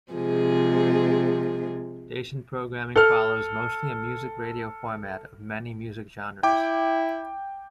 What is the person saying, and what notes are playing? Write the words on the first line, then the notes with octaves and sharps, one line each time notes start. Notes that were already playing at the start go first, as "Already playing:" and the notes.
Station programming follows mostly a music radio format of many music genres.
C3 F3 G#3 G#4
A4 F6
E4 G5 D6